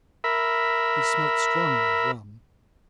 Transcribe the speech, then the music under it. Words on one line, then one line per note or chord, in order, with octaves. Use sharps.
He smelt strongly of rum.
A#4 E5 B5